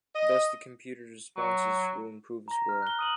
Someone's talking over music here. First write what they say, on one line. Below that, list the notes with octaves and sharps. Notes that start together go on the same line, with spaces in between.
Thus the computer's responses will improve as well.
D#5
F#3
A#5 A#6
F6
F#6 G7
D#6 D#7 F#7